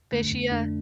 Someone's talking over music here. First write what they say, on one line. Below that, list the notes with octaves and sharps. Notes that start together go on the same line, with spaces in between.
Did she uh
F2 D3 A3 D4
F2 D3 A3 D4